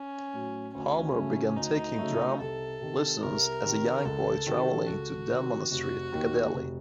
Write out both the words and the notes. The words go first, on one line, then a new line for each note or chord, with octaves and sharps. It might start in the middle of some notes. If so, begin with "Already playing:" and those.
Palmer began taking drum lessons as a young boy, travelling to Denman Street, Piccadilly.
Already playing: C#4
A2 F#3
D2 C#4
C#3 F#3 A3
D2 D#4
C#3 F#3 A3
C2 A4
C3 D#3
C2 A#4
C3 D#3
C#2 A4
C3 D#3 F#3
C#2 F#4
C3 D#3 F#3
F1 F#4
D#2 D#3
F1